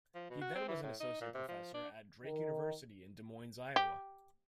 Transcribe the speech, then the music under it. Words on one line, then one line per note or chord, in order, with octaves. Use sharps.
He then was an associate professor at Drake University in Des Moines, Iowa.
F3
B2
F#4
C4
E3
A2
D#4
A#2
C3
F3
D4
D#3
G4